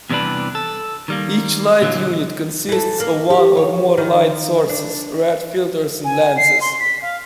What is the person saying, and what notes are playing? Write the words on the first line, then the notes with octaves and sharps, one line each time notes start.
Each light unit consists of one or more light sources, red filters and lenses.
E2 C3 E3 G3 D4 B4
A4
D#3 G3 A#3
A#2 D3 E3 F#3 F4
E3 A4
A#3
G4
C#5
D#3
D4
G#5
C7
C6
B6
F5